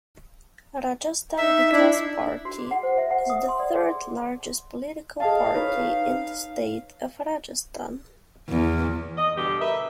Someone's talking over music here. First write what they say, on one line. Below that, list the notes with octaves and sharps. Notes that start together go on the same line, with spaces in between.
Rajasthan Vikas Party is the third largest political party in the state of Rajasthan.
D#4 E5
D4 E4
F#4
G#4
F#5
C5
E5
F#5
D#6
C6
D5
G#4
G#4 D#5 F5 A5
D#4 B4 C#5
E2
D#5
G2 B2 D3 G3 G4
A#4 B4 E5